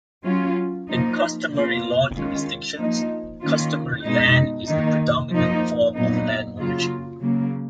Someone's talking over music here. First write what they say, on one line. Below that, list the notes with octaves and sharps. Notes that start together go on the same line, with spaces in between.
In customary law jurisdictions, customary land is the predominant form of land ownership.
F#3 C#4 F4
F3 A#3 D#4
B2 A#3 F4
D#3 G#3 C#4 F4
F3 A#3 D#4
D#3 A#3 C#4 F4
B2 G#3 D#4
D#3 A#3 D#4
F3 A#3 D#4
A#2 F#3 B3 D#4
C#3 F#3 A#3 F4
C#3 F#3 A#3